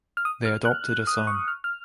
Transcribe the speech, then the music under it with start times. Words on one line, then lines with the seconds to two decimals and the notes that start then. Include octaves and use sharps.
They adopted a son.
0.17 F6
0.25 D#6
0.45 F6
0.65 F#6
1.07 D#6
1.27 C#6
1.48 F6
1.64 F6